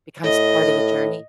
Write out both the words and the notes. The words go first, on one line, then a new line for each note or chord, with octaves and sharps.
becomes part of the journey?
A2 D#5